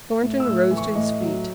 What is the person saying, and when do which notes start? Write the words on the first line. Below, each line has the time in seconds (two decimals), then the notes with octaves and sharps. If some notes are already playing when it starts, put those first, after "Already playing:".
Thornton rose to his feet.
0.22 A2
0.40 E6
0.47 A2
0.71 E3
0.77 C#6
0.95 A2 D#5
1.20 F#3